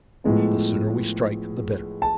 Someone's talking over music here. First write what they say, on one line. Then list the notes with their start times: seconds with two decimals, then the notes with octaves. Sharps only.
The sooner we strike the better.
0.24 A2 F3 G#3 B3
2.02 A5